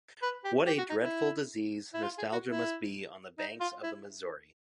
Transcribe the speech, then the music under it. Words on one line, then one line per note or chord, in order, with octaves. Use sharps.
What a dreadful disease nostalgia must be on the banks of the Missouri.
B4
G4
G4
F#4
D#4
E4
E4
F4
G#4
F#4
E4
D#4
F4
E4